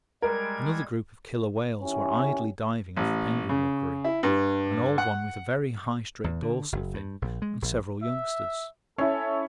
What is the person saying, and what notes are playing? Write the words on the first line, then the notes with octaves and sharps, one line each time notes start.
Another group of killer whales were idly diving off the penguin rookery; an old one with a very high straight dorsal fin and several youngsters.
G3 G#3 A#4 G#6
D#3 C#4 E4 G4
A1
C#3
E4
G2
F#5
E2
D3
F#1
G2
A#1
G#3
A#1
E5
C#4 E4 A4 C#5